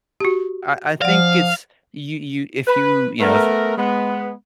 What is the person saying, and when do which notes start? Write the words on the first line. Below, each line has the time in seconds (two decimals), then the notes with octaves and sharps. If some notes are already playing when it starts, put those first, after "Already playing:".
I I think it's you you if you you know, f
0.20 F#4 G4
1.02 F3 D5 F5 F#5
2.67 B4
3.20 A3 B3 A#4
3.77 G#3 B3